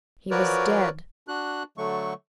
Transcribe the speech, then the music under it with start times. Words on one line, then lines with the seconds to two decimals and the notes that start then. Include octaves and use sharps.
He was dead.
0.31 F3 F#4 A#4 B4 C#5 D5
1.28 D4 F#4 F#6
1.78 D3 F#3 A3 C#6